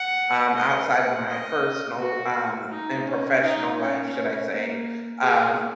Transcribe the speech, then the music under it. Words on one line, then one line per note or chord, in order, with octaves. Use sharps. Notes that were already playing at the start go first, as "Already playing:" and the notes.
um, outside of my personal, um, and professional life, should I say, um,
Already playing: F#5
D#5
F#5
D#5
F#4
D#4
C#4
D#4
C#4
C#4
A#3
G#4